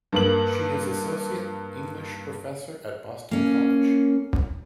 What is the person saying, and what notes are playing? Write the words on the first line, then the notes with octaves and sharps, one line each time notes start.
She is associate English professor at Boston College.
G2 A#3 F#7
A#3 C#4